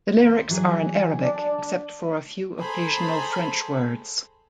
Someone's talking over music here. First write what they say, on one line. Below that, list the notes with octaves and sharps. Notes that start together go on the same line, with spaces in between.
The lyrics are in Arabic except for a few occasional French words.
D#2 C5
E3 F#3 G#4
D4 D5
G#4 A4 C5 G#5 A#5 B5